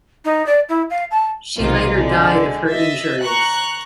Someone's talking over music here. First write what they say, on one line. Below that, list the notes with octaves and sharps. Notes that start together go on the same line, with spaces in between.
She later died of her injuries.
D#4
D5
E4
F5
A5
B1 C3 D#3 A#3 D#4 F4
D3 G#3
D#5 E5 A6
A#5 C#6 F#6